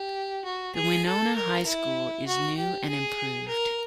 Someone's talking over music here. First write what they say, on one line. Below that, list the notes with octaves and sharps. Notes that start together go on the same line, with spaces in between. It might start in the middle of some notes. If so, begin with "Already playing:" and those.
The Winona high school is new and improved.
Already playing: G4
F#4
G#4
A4
A#4
E4
F#4
G4
G#4
A#4